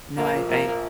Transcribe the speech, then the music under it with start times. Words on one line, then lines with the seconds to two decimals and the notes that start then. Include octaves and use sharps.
No, I I
0.17 A#1 A#3
0.33 A#2 F3
0.50 A#1 A#3
0.66 A#2 F3